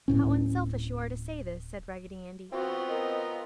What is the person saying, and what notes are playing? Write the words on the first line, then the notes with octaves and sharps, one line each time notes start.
"How unselfish you are to say this!" said Raggedy Andy.
D1 A2 C#4
B3 C4 F4 F#4
A#4 D#5